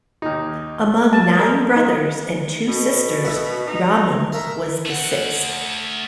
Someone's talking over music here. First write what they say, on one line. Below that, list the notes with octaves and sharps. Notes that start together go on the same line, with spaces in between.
Among nine brothers and two sisters, Rahman was the sixth.
D#2 D#4
A5
A#4
D#4
B2
F#4 E5 B5
D#4
A#4 E5 A#5
A3 F#5